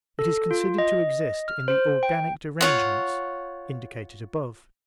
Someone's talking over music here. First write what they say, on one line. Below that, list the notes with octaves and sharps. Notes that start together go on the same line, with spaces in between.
It is considered to exist in the organic derangements indicated above.
A4
F4
D#5
F6
C5
G5
F4 C#5 F#5